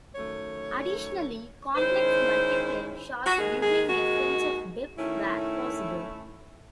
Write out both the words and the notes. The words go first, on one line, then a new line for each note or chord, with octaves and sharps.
Additionally, complex multiplane shots giving a sense of depth were possible.
F#2 D#3 A3 C#5
D#3 G#3 C#4 E4 C5
F#4
D#2 D#3 G#3 G#4
G#4
F#4
D#3 A3 C#4 E4